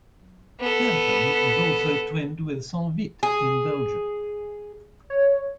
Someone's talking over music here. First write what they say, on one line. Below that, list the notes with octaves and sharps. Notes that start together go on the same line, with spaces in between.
Kerpen is also twinned with Saint Vith in Belgium.
B3 A4
G#4
C#5